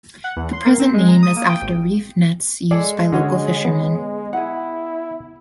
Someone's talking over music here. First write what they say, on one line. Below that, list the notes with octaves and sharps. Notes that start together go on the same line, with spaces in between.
The present name is after reef nets used by local fishermen.
F#5
E2
C6
A#3
C4
G#3
A#5
D#6
A#3
G5
G#1
G#3 G#4 A4 D5
D3 C#4 F#4
B3
E4 G#4 F#5